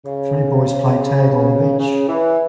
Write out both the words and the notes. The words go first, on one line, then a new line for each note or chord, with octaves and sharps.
Three boys play tag on the beach.
C#3
C#3
E3